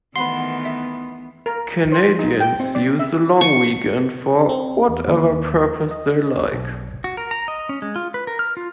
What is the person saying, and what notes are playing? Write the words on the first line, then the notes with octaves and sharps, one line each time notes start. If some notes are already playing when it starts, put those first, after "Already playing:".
Canadians use the long weekend for whatever purpose they like.
D#3 E3 A3 B3 B4 C5 F#5 C6
E5
A#4
C5
D#4
G5
C4
D5
E5
C#6
C4
E2
D#2
D#5
B1
F#4
A#4
A#5
D#5
C#4
G#3
F4
B4
A#4
F6
F4